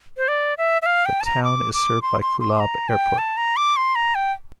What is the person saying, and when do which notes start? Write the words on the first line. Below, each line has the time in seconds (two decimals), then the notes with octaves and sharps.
The town is served by Kulob Airport.
0.17 C5
0.28 D5
0.58 E5
0.82 E5
0.86 F5
1.06 G5
1.21 A5
1.25 A#5
1.44 D6
1.73 D6
2.02 C6
2.21 C6
2.40 C6
2.56 C6
2.60 A#5
2.89 G5
3.18 A5
3.37 A#5
3.57 D6
3.76 C6
3.95 A#5
4.15 G5